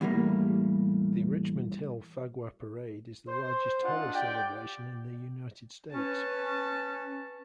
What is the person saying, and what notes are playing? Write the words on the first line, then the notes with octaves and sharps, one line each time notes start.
The Richmond Hill Phagwah Parade is the largest Holi celebration in the United States.
E2 A2 G3 A#3
C5
G#3 D4 F4 F#5
G4 D5 G5
C#4 B4 A5